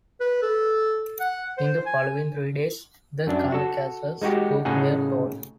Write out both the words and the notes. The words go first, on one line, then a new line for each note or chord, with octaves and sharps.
In the following three days, the kamikazes took their toll.
B4
A4
F#5
C5
G#5
F#2 D4
F#4 A4
G#3 D#4 F#4 G4
A2 C#3 D#4 G#4 F#5